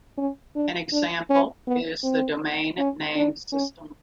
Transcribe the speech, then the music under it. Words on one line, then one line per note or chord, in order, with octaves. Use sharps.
An example is the Domain Name System.
C#4
D4
D4
C#4
B3
C4
C#4
D4
C#4